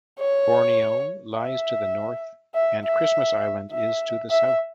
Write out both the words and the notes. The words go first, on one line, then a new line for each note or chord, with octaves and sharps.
Borneo lies to the north and Christmas Island is to the south.
C#5
E5
E5
E5
E5
E5